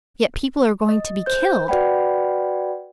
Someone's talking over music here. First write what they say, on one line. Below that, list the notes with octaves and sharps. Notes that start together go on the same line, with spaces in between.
Yet people are going to be killed.
D#5
C5 G6
F#4 B4 D5 F#5 G5 B5